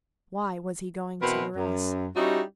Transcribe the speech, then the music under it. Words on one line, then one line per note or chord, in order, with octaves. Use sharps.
Why was he going to Arras?
B2 E3 C4 A#4 B4 F#5
F#2
G3 C#4 D#4 E4 F#4 G4